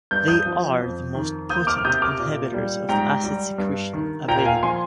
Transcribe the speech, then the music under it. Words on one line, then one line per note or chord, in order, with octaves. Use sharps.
They are the most potent inhibitors of acid secretion available.
G2 G6
D#6 G6
F3
F2
D#3
A#3 D#6 G6
D6 F6
F6
C3 D#6 G6
D6 F6
A#2
G3
G#2 G5 A#5
G3
G2
D#3
A#2 G5 A#5
F5 G#5
F3 G#5 C6